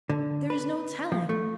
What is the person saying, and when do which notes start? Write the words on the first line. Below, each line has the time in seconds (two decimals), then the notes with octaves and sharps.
'There is no telling.
0.09 D3
0.50 B4
1.12 F3
1.29 A3